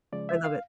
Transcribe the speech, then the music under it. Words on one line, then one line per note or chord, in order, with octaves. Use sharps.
I love it.
C#3 F3 G#3 D5
E5
F5